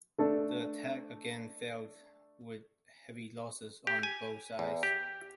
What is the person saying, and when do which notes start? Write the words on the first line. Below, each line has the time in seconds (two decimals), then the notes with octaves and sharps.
The attack again failed, with heavy losses on both sides.
0.18 A3 D4 A4
3.87 G4
4.03 G#5
4.59 E2
4.83 G4